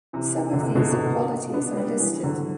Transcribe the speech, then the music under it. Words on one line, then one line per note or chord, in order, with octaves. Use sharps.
Some of these equalities are listed.
C3 E3
D3
C3 E3
B2 D3
B2 D3
B3 D4
G3 B3
E3 G3
D3 F#3